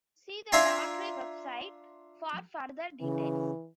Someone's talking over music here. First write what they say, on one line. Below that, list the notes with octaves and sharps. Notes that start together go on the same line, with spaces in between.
See the lottery website for further details.
D4 F4 E5 G#5 A#5 C6
C#3 E3